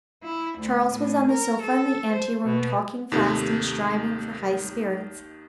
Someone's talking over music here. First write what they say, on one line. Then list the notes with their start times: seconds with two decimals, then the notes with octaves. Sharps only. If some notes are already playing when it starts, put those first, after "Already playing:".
Charles was on the sofa in the ante-room, talking fast, and striving for high spirits.
0.23 E4
0.58 D2
0.90 A2
1.31 A#4
1.62 A4
2.13 C5
2.44 B2
3.12 D#2 G#2 C3 D#3 A3